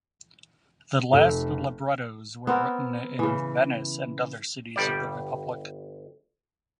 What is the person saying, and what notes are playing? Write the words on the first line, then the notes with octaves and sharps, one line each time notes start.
The last librettos were written in Venice and other cities of the Republic.
F1 A4
B3 C4 A#4
C#3 E3
G1 G3 D5